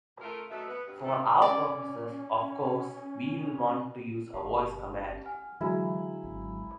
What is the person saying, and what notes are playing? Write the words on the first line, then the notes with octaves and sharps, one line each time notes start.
For our purposes, of course, we'll want to use a voice command.
A3 F4 A#4
F#3 A3 B3 D#4 E5
B3 B4
G2
G2 D#3 F3 A3 G4 A4
C#4 D5
G1 G4 F5 A5
F#5 G#5 F6
D3 E3 F#3 G#3 E4 F5 G#5 A#5
G#1